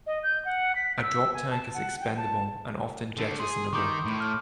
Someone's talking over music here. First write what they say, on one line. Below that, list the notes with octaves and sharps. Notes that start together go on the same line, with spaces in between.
A drop tank is expendable and often jettisonable.
D#5
G6
F#5
B6
E6
G#5
A5
F#5
G5
A5
D3 A3
G#4 C6
D#3 C#6 D6 G6
A2
F6